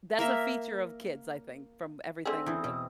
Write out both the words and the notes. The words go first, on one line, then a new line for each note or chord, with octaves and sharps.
that's a feature of kids, I think, from everything that
A#3 A#4 E5
D3 A3 C4 G#4 B6
E2 E3 D#6
B2